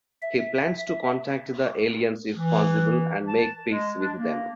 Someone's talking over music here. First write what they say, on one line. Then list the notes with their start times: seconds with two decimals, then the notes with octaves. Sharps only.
He plans to contact the aliens if possible and make peace with them.
0.22 E5
2.36 E3
3.28 A5
3.69 G#3
3.99 D4
4.18 A#3